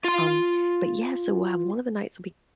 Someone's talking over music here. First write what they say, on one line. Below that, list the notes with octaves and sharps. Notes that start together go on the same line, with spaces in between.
Um, but yeah, so we'll have one of the nights will be
F4 C6